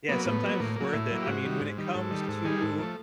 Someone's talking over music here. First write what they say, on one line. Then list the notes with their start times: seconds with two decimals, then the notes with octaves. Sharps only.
Yeah, sometimes it's worth it. I mean, when it comes to,
0.09 F#3 A#3 B3
0.25 A2 B3
0.43 F#3 A#3
0.60 A2 A#3
0.76 F#3 A#3
0.93 A2 E4
1.10 F#3 A#3
1.22 G4
1.27 G#2 F#4
1.45 D#3 G3
1.61 G#2
1.78 D#3 G3
1.94 G#2 A4
2.11 D#3 G3
2.28 G#2 A4
2.45 D#3 G3 G#4
2.61 G#2 A4
2.78 F3 A3 A4